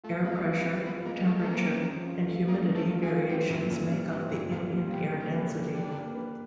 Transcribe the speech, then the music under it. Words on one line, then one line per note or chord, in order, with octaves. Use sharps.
Air pressure, temperature, and humidity variations make up the ambient air density.
A3 F4
G#3 B3
A#3
G#3
B3
C4
B3 F4
G#3 A#3
G#3 A3
A3
A#3 C4
C#4
F3
F4
A3
A#3 C#4
F3
A3
F4
G#3
A3
G3 C4
A#2 E3
A#2 E3
G3
D#3 C4
A#2 E3
A#2 F3
G3
B2 G4
A#3
C3
B4
C#3
D4
D3 G4
A#3
B4